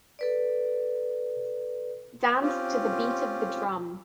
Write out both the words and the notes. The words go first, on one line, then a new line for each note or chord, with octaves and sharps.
Dance to the beat of the drum.
A4 B4 D5
C4 C#4 F4 G4